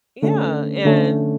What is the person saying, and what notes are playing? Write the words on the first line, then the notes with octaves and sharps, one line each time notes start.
Yeah, and
D3 A3 C#4
D3 A3 C#4